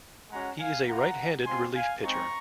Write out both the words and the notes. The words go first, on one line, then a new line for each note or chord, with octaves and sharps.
He is a right-handed relief pitcher.
G#3 C#4 F#4 F#5 A#5
F5 G#5
A#3 F4 F#5 A#5
G#3 C4 F4 G#5 C6
F5 G#5
G#3 C4 D#4 A#5 C#6